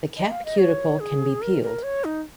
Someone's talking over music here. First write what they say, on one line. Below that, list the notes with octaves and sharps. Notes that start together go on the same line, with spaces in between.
The cap cuticle can be peeled.
D#5
F5
D#5
C#5
G#4
A#4
A#4
C#5
D#4